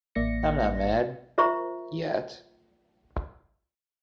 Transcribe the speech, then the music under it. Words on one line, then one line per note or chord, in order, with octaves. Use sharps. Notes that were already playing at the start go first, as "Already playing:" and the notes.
I’m not mad — yet.
A1 A#3 D5 E5 A#6 C#7
F4 A#4 C5 E5 A#5 C#6